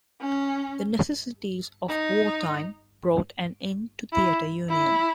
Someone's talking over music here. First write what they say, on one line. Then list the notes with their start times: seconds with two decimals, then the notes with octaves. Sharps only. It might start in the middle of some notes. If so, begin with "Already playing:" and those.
The necessities of wartime brought an end to Theatre Union.
0.21 C#4
1.89 D#4
4.13 E4
4.69 E4